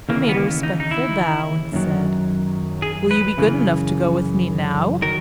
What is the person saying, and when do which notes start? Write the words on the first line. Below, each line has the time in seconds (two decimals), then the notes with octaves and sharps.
He made a respectful bow and said, "Will you be good enough to go with me now?"
0.09 D#2 C#3 E3 A#3
0.29 B3
0.37 A#3
0.63 D#4
0.80 D#4
0.91 E4
1.73 F#2 D#3 F#3
2.82 G#4
3.11 B4
3.37 F#2 C#3 E3
5.02 D#3 F#3 A#4